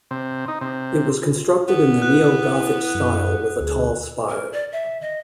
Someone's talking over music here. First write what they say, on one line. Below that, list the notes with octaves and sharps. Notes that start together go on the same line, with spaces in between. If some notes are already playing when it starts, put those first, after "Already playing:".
It was constructed in the neo-Gothic style with a tall spire.
C3
D#4
C3
F4
B3 G4
E4 F#6
F#2
D2 G#4
A#4
D5
E5
D#5